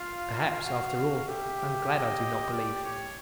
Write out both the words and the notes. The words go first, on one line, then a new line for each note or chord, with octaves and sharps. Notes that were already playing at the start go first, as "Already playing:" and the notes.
Perhaps, after all, I am glad I do not believe.
Already playing: F4 F5
F#4
G4 E5
D#5
D5
C#5